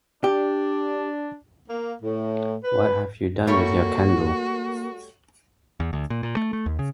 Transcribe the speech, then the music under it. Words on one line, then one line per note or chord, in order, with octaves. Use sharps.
What have you done with your candle?
D4 G4
A#3
A2
B4
G3 A3 A#3 F#4 C#5
E2
D2
A#2
A#2
A3
A3
D#2
C#3